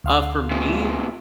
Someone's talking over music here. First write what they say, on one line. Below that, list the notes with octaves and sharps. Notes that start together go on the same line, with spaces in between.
Uh, for me,
D2 F5 C6
A2 C3